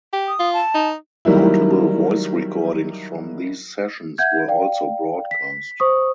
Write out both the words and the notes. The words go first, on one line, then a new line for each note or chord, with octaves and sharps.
Notable voice recordings from these sessions were also broadcast.
G4
D#6
F4
A5
D#4
D#3 F#3 G3 A#3 E4
E5 F#5 G6 G#6
D5 F5 G5
B6
C5 C#6 D#6